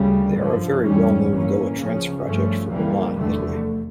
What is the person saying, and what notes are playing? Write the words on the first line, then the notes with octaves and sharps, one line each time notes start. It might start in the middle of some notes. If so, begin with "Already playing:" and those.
They are a very well known Goa trance project from Milan Italy.
Already playing: D2 C#3 G3
G2 D3 F3
F2 E3 G3 C#4
A1 G2 E3 A#3 C#4
C#2 C#3 F3 C#4
G2 F3 A3 C#4
C#2 C#3 E3 G3 A#3
F1 E2 D3 A3